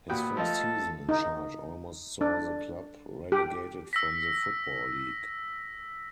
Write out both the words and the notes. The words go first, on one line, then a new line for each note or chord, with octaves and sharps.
His first season in charge almost saw the club relegated from the Football League.
A#2 B3 F#4 G5
F3 A3 A4 D#5
D#4
D4
G4
E6 A#6 B6